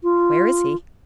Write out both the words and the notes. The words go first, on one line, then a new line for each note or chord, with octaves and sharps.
"Where is he?"
F4